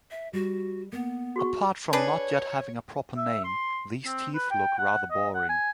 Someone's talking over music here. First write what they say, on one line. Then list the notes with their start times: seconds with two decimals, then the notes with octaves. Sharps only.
Apart from not yet having a proper name, these teeth look rather boring.
0.11 E5
0.33 G3 F#4
0.92 A#3 B3
1.36 F#4 G#4 C#6
1.93 D4 G#4 B4 C#5
3.17 E5
3.44 C6
4.06 C4
4.34 B4
4.51 G5
4.78 F#5
5.11 D#5
5.34 F#5
5.49 G#5